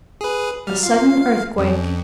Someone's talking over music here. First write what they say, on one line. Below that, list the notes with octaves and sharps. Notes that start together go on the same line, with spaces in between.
A sudden earthquake.
G#4 B4
F#3 G3 F6
F4 F5
F2 C#4